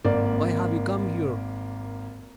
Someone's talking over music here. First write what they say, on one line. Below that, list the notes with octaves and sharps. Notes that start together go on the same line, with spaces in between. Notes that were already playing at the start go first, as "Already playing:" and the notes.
Why have you come here?
G#1 A#3 D5